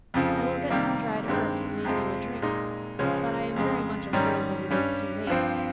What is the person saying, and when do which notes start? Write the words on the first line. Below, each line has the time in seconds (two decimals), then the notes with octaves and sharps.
'I will get some dried herbs and make you a drink, but I am very much afraid that it is too late.
0.14 F2 C#3 F3
0.70 C3 D#3 G3 A#3
1.28 G2 D#3 G#3 C4
1.85 F2 C3 F3 G#3
2.42 A#2 G#3 D#4
2.99 C#2 C#3 F3 G#3 C#4
3.56 F2 C#3 G#3
4.13 G#2 D#3 G3 C#4
4.70 G2 G3 C#4
5.27 G2 F3 C4